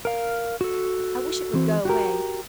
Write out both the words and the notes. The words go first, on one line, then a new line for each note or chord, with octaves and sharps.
I wish it would go away.
A#4 F5
F#4 A4
E3 C4
F#4 G4 A#4